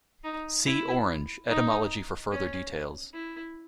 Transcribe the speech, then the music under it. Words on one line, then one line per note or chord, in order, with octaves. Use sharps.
See Orange: etymology for further details.
D#4
E4
D#4
C#4
E4